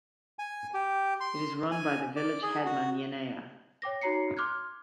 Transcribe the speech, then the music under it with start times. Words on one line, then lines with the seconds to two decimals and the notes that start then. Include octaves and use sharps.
It is run by the village headman Yeneya.
0.39 G#5
0.74 G4
1.20 C6
1.71 G#5
2.16 D5
2.42 G#4
2.65 F#4
3.82 C#5 G5 D6 A#6
4.01 D#4 F#4 C#5 A#5 C7 C#7
4.37 C6 D6 F6 F#6 G#6